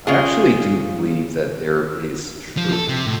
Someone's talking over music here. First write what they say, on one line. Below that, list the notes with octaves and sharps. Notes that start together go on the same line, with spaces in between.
I actually do believe that there is truth.
C#3 F4 G#4
F3
A4
C3
A2